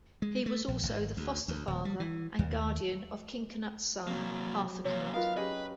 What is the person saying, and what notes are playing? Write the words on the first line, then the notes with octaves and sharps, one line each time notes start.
He was also the foster-father and guardian of King Cnut's son Harthacnut.
G#3
A3
A#1
G#1
D2
D2
D#1
G3
E3
D#2
C3 F#3 A#3 C4
C3 A#3 C#5
D#4 F4 A#4 B4 F5
C#4 G4 G#4 B4 D#5